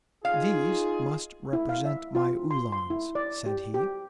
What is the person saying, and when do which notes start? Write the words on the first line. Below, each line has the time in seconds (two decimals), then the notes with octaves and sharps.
"These must represent my Uhlans," said he.
0.25 D#4 F4 G#4 F5
1.53 E4
1.69 F5
1.85 E5
2.15 F4
2.51 C6
2.72 C6
2.90 E4
3.15 D5
3.46 G4
3.74 G4